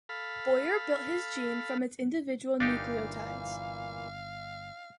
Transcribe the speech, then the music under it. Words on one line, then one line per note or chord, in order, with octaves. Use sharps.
Boyer built his gene from its individual nucleotides.
A4 F5 B5
G1 A#2 E3 A#3 D4 D#4 G4 F5